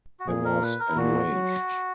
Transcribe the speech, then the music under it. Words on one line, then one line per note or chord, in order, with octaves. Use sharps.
I was enraged.
F#4
A#2 G#4
A#4
B4
A#4
E4
A#2 F#4
F#3